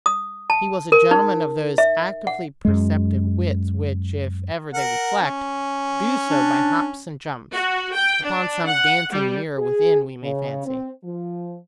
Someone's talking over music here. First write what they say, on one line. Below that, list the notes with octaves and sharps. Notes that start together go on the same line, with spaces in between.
He was a gentleman of those actively perceptive wits which, if ever they reflect, do so by hops and jumps: upon some dancing mirror within, we may fancy.
D#6
A5
A#4
D#4
E5
F#5
F#2 G#3
A#4 F#5
C#4
D4
F#4
G5
D4
F#5
G3
G#4
C#3
C4
F3